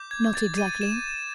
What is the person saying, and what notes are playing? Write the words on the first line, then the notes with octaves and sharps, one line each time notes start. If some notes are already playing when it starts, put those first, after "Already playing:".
"Not exactly."
Already playing: D6 G6
G#6
A6
D#7
E7